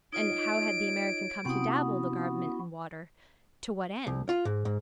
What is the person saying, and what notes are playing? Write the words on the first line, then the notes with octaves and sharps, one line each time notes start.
And how had the American come to dabble the garment in water--to what end?
D#4 F4 C#5 D#5 D7
C3 B3 C#4 E4 F#4 F#5 D#6
C2
F4
G#2
G#2